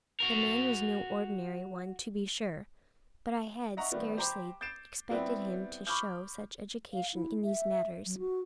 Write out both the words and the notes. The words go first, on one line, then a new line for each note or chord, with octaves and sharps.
The man was no ordinary one, to be sure, but I had scarcely expected him to show such education in these matters.
F#4 A#4
D#5 E5 F#5 A#5 C#6
D#3 G3 A3 B3
G4 C5 A#5 B5 D6
G6 A6 C7 D7 E7
G3 B3 C4 E4
B5 C#6 D6 E6 F6 G6
F5
E4
E5
F#3
F#4